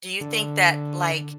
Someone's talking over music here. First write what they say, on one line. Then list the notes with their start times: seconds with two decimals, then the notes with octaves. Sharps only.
do you think that, like
0.21 D3